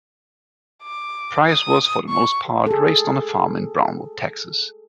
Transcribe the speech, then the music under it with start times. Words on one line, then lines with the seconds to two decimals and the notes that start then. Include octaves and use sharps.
Price was for the most part raised on a farm in Brownwood, Texas.
0.83 D6
1.48 D#6
2.10 C#6
2.67 G#4 A4